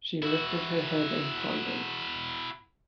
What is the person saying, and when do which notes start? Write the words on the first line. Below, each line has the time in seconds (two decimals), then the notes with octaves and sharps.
She lifted her head and pondered.
0.22 E4 F#4